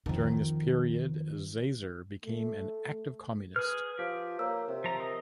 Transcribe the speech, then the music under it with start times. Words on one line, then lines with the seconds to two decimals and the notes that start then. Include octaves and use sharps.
During this period, Zaisser became an active communist.
0.06 F2 D#3
2.25 A3
3.56 G#4 B4 F6
3.99 F3 G4
4.39 A#3 C#5 E6
4.68 C3 A#4
4.84 F3 A#5
5.00 D#5